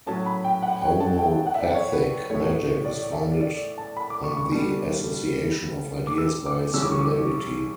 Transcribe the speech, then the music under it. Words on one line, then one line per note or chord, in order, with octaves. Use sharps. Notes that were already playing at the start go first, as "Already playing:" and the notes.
Homeopathic magic is founded on the association of ideas by similarity.
A2 F#3 C#4 A5
B5
G5
F#5
G5
A5
G5
A5
F#5
E5
D5
C#5
B4
A2 E3 A3 C#5
D5
E5
D5
A5
B5
D6
C#6
C#6
B2 G3 B3 D4
D6
E6
D6
C#3 E3 G3 C#4 E6
D6
C#6
D6